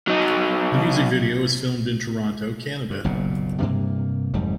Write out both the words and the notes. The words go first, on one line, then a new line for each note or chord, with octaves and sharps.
The music video was filmed in Toronto, Canada.
F#3 D#4
G2
F#1 B1 A#2
G2 C3 A#3
F#1 F2 G#2 G3